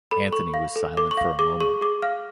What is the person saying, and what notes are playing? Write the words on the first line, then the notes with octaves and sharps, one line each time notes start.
Anthony was silent for a moment.
A4 B5
A4 C#6
F5
A4
A4 D6
C#6
F5
G#4 D6
G#4 C#6
G#4 D6
F5 F6